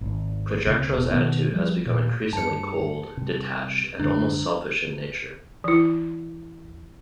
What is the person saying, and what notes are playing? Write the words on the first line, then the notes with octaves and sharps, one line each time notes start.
Projectra's attitude has become increasingly cold, detached, and almost selfish in nature.
G#1
C#2 C3
E1 B2
B2 D#3 B3
F3 G3
A#2
G2 A5 C#7
C3 G3
F#2 D3 G#3 D4
E3 E4